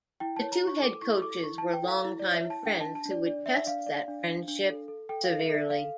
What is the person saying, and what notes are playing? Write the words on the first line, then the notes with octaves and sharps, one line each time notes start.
The two head coaches were longtime friends who would test that friendship severely.
E4 G5
C#5 A5
A#5
E4
C#6
A4 D6
E4 C#6
A4 D6
E4 C#6
E4 A5
G5
A4
F5
E4
C#5 D5
E5
E4
A5
D4 G5
A5
D4
A5
D4
D5
D4 D5
D5 E5
E5
D4 F5
D5
D4
D4
D4
A4
A4
A4 G5
F5
A4
E5
A4 E5
A4 F5